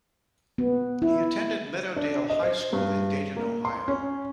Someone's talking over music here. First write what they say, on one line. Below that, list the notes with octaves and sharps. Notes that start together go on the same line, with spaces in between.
He attended Meadowdale High School in Dayton, Ohio.
B3
E4
D4
D#5
C5
G2
A#3
C6
C#4